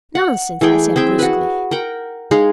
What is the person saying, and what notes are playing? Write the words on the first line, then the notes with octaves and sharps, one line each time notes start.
"Nonsense!" I said bruskly.
F#5
E3 A3 G#4 G5
C4 G#4 E5 G5
F#4 B4
A#4 F#5 G5
G#3 D#4 G#4 F5